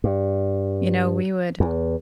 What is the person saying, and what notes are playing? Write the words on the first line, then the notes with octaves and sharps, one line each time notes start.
You know, we would
G2
E2